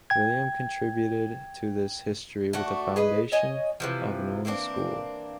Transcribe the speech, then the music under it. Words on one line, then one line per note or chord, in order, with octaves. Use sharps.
William contributed to this history with the foundation of an own school.
G5 G#6
A3 D4 F#4
G#4 B4 D#5
C#5 D#5 G#5
C3 E3 F3
E3 A#3 C4 D4